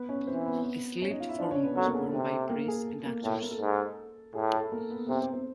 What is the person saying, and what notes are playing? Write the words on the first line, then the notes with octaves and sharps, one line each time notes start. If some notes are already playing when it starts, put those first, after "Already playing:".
A sleeved form was worn by priests and actors.
Already playing: B3 B4
C#4 C#5
E3 C4 C5
B3 B4
C#4 C#5
D#4 D#5
F4 F5
E4 E5
F3 D4 D5
C#4 C#5
B3 B4
F#3 A4
A#3 A#4
G#4
A4
C3
A#3 A#4
G#4
A4
A#3 A#4
A2 A#3 A#4
A4
A#3 A#4
A4
G#2
A2 G#4
A4
A#3 A#4
B3 B4
C3 C4 C5
C4 C5
C4 C5